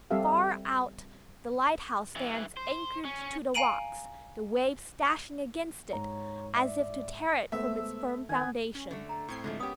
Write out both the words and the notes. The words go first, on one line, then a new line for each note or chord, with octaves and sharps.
Far out the lighthouse stands anchored to the rocks, the waves dashing against it, as if to tear it from its firm foundation.
G3 C4 G4 A4 E5 F5
G2 E3
C5
C#4
F5 G#5 A#5 D7 D#7 F#7
G#2 C#5 A#5
D5 E5
G#3 A3 B3 C5 E5 E6
D#3 B3 A#4 G#5
C#4
D3 A3 C#6
A#5
A2 C4 C#6 G#6 C7
D3 F3 G#3 A3
B3 C#4 G4 A#4 C#5 D#6